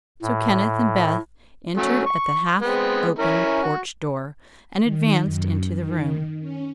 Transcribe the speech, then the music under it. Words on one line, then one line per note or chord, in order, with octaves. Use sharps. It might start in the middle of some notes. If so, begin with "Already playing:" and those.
So Kenneth and Beth entered at the half-open porch door and advanced into the room.
A2
F#3 A3 C#4
C#6
G#3 B3 C4
C#4 E4 A#4
F#4
D#3
F#2
D#3
C#4